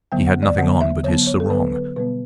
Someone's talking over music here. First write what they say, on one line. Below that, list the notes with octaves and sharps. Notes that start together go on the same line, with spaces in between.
He had nothing on but his sarong.
D3 F#3 B3 G5
F#5
D5
D3 F#3 B3 F#5
E5
D3 F#3 B3 C#5
C#5
A4
D3 F#3 B3 B4
B4
B2 G3 B3 B4